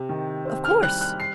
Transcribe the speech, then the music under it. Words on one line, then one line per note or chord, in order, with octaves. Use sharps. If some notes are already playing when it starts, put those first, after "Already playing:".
"Of course."
Already playing: C3
D#3
C4
F6
G3 F#6
F#6
C7